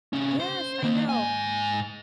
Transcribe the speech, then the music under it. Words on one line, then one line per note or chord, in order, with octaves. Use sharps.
Yes, I know,
C3 C#4
C5
D#3 A#3
G#2 G#5